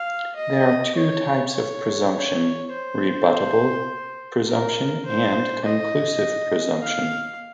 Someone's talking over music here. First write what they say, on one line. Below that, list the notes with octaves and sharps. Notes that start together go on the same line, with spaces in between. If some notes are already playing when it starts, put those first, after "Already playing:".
There are two types of presumption: rebuttable presumption and conclusive presumption.
Already playing: F5
D#5
C#5
C#5
C#5
C5
A#4
C5
D#5
F5